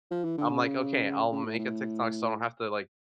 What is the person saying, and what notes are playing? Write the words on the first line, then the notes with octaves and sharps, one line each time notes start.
I'm like, "Okay, I'll make a TikTok so I don't have to, like,
F3
E3
D3
C#3
C#3
A2
A2